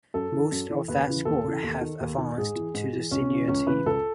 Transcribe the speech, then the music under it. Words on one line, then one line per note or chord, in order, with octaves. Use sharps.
Most of that squad have advanced to the Senior Team.
F#2 A4
E3
F#2
E3
D#2 B4
C#3 E3
D#2 A4
C#3 E3
D#2
D#3
D#2
D#3
G#2 G#4
E3
G#2
E3
C#2 C#4
C#3 E3
C#2 C#4
C#3 E3 B4
C#2 A4